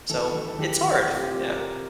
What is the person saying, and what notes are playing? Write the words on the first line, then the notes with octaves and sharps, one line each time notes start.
So, it's hard! Yeah.
E3 A4
E3
A4
E3 G4
E3
C3 F4
G4
F4
C3 G4
C3 A#4